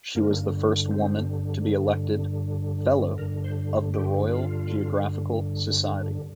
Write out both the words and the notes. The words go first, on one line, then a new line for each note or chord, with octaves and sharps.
She was the first woman to be elected Fellow of the Royal Geographical Society.
G2 D3 A#3
C4
G2 D3 A#4
C5
G4
F4